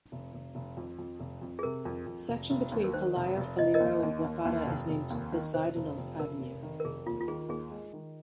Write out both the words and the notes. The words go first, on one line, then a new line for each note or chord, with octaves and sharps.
The section between Palaio Faliro and Glyfada is named Poseidonos Avenue.
F1
F1
F1
F2
F2
F1
F2
G#4
C3 A#4
F2
F2
F1
F1
D#2
A#4
D#3 C5
F1
F1
F1 D#5
A#4 D#5
D#2
D#2
D#2
D#2
F1
F1
D#2
D#3
F1 C5
F1
F1
F1 A#4
F1
D#3
A#4
F1 G#4
D#2 F4
F4
D#3 G#4
D#2 G#4
G#3
D#3